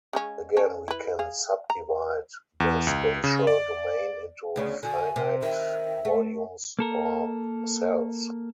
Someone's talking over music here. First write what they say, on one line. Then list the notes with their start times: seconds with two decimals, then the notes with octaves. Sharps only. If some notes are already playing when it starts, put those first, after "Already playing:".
Again we can sub-divide the spatial domain into finite volumes or cells.
0.13 C#3 G#3 C#4
0.57 C#4 A4
0.88 E4 B4
1.19 G#4 F5
1.70 A#5
2.60 E2
2.87 C#2
3.24 C#3
3.47 D5
4.56 D2 C#3 B3 D5
4.83 D3 F#4 G#5
5.16 C3 C4
5.42 D#3 E5
6.05 A3
6.79 A#3 A4 A#4